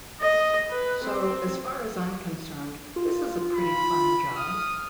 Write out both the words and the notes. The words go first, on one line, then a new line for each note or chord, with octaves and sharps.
So, as far as I'm concerned, this is a pretty fun job.
D#5
B4
C4
F4
B5
D#6 F6